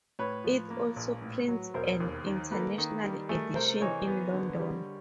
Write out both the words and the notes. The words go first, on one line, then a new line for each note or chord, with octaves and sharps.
It also prints an "international edition" in London.
A2 B4 C#5
F3
A#3
A#1
A2
F#3
E1 A#4 C5
D#2
D#3
A#3 A4 B4
D#3
G3
A3 G#4 A#4
C3 A#4 C5
E3 C#5 D#5
B3
D3
G3